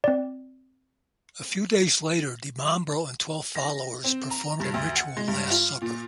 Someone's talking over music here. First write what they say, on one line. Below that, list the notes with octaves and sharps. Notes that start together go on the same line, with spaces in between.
A few days later, Di Mambro and twelve followers performed a ritual Last Supper.
C4 D5
A#6
C4
A#5
G2
D2
F#5
G#3
G2
F4
A#2